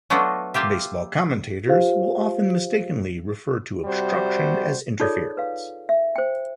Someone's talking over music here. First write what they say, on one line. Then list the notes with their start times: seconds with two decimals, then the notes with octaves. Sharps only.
Baseball commentators will often mistakenly refer to obstruction as interference.
0.10 F#3 A3 B3 D4 F4 F#4
0.54 A#3 F4 G4 E5
1.67 F4 G4 C5 F5
3.85 C3 G3 F#4 C5
5.00 D#4 F4 G#4 A4 C#5 D5
5.37 B4 F5
5.89 E5
6.16 C5 G5